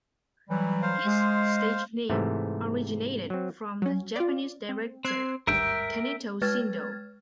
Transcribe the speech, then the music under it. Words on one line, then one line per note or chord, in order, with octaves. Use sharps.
His stage name originated from the Japanese director Kaneto Shindō.
E3 F#3 G3
C5 F5
G#3
G#2 C3 E3 A3
F#3 C4
F#3 C#4
F4 D5
C4
C4 F#6 G#6 C7
G#1 D2 G2 A#4 E5 G5
G#3 B4 F6 G#6 A6